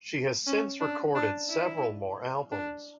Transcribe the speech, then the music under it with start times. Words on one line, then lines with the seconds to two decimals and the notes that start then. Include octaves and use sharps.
She has since recorded several more albums.
0.47 C#4
0.80 D4
1.15 D4
1.49 E4
2.51 D4